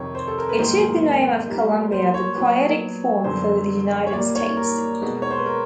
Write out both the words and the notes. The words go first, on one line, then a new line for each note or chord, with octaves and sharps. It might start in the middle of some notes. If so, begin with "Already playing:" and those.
It took the name of Columbia, the poetic form for the United States.
Already playing: F2 C3 D#3 C#5
C5
A4
A#4
B4
G#2 D#3 F#3 A#3 C5
A#2 G3 A#3
C5
C#5
A#2 F#3 B3
F#2 D3 F#3 B3 C5
C#5
A#2 G3 A#3 D5
C#5
A#4
B2 G#3 B3
C#5
C5
B4
A#4